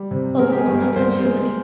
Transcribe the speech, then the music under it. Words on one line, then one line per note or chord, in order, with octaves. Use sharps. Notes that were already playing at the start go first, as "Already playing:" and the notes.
Also one daughter, Giovani.
Already playing: G3
C3
G#3 A#4
G4
G#4
G2
A#4
C2 C5
G#3